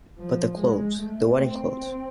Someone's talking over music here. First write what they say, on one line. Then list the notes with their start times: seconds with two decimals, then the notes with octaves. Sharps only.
But the clothes, the wedding clothes!
0.19 F3
0.59 G#3
0.99 A3
1.38 C4